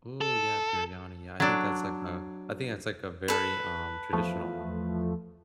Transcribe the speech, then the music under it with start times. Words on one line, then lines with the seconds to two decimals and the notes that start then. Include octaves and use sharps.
Ooh, yeah. Biryani, yeah, I think that's like, a I think that's, like, a very, um, traditional one.
0.21 A4
1.40 F#3 D4
3.28 A4 B4
4.13 E2 F3 A3